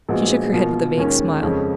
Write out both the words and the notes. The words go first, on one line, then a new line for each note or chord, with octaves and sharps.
She shook her head with a vague smile.
A#1 A#2 G#3 B3 F#4
B2 A#3 F4
D#2 D#3 G#3 C#4
F2 C#3 G#3 C#4